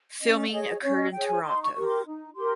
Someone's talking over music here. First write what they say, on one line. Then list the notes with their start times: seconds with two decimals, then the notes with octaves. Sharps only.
Filming occurred in Toronto.
0.21 C#4 D#5
0.48 F5
0.52 G#4 C#5 D#5
0.82 C#4 C#5
0.98 D#5
1.12 G#4 C#5 G5
1.28 G#5
1.43 D#4 C6
1.64 C#6
1.75 G4 A#4 C#6
1.85 C6
2.05 D#4
2.36 G4 A#4 C6